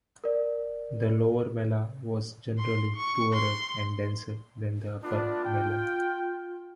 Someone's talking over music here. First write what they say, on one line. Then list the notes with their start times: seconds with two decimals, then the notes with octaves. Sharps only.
The "Lower" Mellah was generally poorer and denser than the Upper Mellah.
0.24 A#4 D5
2.58 C6
2.96 C#6
3.33 C6
5.03 A3 B3 D4 F4
5.45 G5